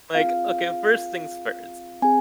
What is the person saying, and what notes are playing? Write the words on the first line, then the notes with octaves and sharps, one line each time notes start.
like, okay, first things first,
C4 F4 G#4 F5
C4 G#4 G#5